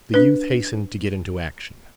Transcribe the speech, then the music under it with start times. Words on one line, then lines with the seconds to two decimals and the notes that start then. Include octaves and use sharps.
The youth hastened to get into action.
0.14 D4 B4